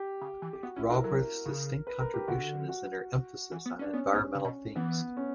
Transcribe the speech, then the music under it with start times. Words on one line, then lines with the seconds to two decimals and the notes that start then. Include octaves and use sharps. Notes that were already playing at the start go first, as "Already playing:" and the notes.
Raworth’s distinct contribution is in her emphasis on environmental themes.
Already playing: G4
0.21 C#3
0.42 E3
0.53 G4
0.63 B3 F#4
0.76 C#4 E4
0.90 D4 A#4
1.04 F#3 A#4
1.46 C#3
1.87 B4
2.00 A#4
2.14 G4
2.28 D3 F#4
2.69 F#4
3.52 E3
3.66 B3
3.79 C#4 D4
3.93 B3 C#4
4.13 B3
4.35 C#3
4.45 B2
4.76 E3 B3
5.17 C#4